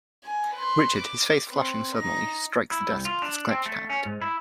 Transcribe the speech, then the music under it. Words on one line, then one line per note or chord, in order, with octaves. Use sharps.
Richard, his face flushing suddenly, strikes the desk with his clenched hand.
G#5
B4 C6
D6
C4 B4
D#4 A#6
E4
C2
F4
D4
C4
A3
C#4
G#2
E4